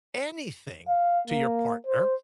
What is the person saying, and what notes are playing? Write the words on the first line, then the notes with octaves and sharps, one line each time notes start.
anything to your partner,
F5
A#3
C5